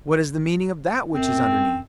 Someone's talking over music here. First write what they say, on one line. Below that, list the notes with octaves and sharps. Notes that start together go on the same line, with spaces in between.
What is the meaning of that which is underneath?
F#2 C4